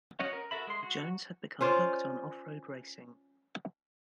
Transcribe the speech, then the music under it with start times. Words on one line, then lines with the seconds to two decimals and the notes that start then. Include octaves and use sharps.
Jones had become hooked on off-road racing.
0.20 C#4 F#4 C#5 D#5 F#5
0.33 A#4
0.51 F#4 A4 A#4 E5 B5
0.67 G#3 C6
0.83 F#4
1.61 C#4 F4 C5 D5